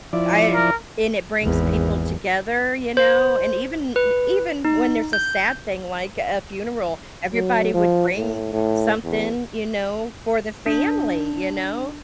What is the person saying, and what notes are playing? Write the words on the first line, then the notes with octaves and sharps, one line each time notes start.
I b and it brings people together, you know, and even i even when there's a sad thing like a funeral, everybody would bring something, you know, for the family, you know,
F3 E4 D5
A#4
G#1 E2
C5
B4
D#4
G6
F#3
F3
A2
A2
E2
D4